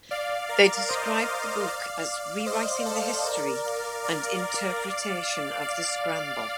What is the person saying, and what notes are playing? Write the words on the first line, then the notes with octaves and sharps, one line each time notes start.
They described the book as "rewriting" the history and interpretation of the scramble.
D5 F5
A#4 D5
C5 D#5
D5 F5
D5 F5
C5 D#5
A4 C5
A#4 D5
D5 F5
D5 F5
D5 F5